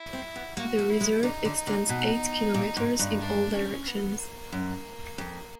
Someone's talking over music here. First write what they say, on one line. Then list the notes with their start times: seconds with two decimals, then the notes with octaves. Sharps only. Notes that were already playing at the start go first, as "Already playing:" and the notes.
The reserve extends eight kilometers in all directions.
Already playing: E4
0.13 C4
0.36 B3
0.57 A#3 F#4
0.79 A3
0.90 E4
1.01 G#3
1.23 D3 D#4
1.45 D3
1.67 D3
1.89 B2
2.54 A#2
2.77 G#2
2.99 G2
3.20 D4
3.54 C#4
3.87 B3
4.19 A#3
4.52 F#2
5.18 F2